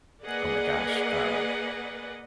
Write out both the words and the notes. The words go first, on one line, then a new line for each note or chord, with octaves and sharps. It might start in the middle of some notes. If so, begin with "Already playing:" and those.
oh my gosh, uh,
A#3 G#4 B4 D5 D#5 F#5